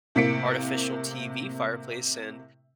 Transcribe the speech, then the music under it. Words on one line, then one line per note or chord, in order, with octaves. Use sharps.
artificial, TV fireplace and
A2 C3 A#3 B6 C#7 D7